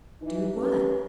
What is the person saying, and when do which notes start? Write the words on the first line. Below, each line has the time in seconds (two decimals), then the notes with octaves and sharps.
"Do what?"
0.21 E3 D#4
0.54 C#4 G4 A#4 B4